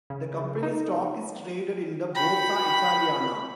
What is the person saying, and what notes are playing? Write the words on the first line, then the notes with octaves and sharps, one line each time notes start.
The company's stock is traded in the Borsa Italiana.
C#3
D#4
F#4 F#5 G5 B5